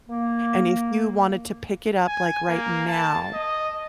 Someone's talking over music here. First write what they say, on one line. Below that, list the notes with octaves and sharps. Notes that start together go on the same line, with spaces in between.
and if you wanted to pick it up, like, right now
A#3
G#5
A#3
A5
D#5